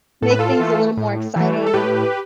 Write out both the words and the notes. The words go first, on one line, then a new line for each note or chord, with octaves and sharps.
make things a little more exciting and
A2 A4
B4
F4 A4
E3 A3
A2
E3 A3
A4
A2 G4 B4